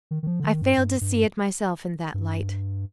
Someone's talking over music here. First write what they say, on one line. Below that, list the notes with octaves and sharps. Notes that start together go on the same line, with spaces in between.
I failed to see it myself in that light.
D#3
D#3
F3
D3
D#3
G2
G2
G2
G2